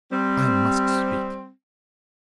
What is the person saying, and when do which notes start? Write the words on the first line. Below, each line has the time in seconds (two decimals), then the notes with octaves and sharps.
I must speak.
0.12 G3 C4